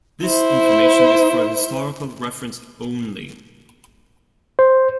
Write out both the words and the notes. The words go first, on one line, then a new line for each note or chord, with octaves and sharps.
"This information is for historical reference only".
E4 C5
C5